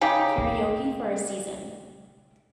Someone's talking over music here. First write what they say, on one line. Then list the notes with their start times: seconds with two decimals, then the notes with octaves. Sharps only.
Karaoke for a season.
0.01 C#3 D#4 G4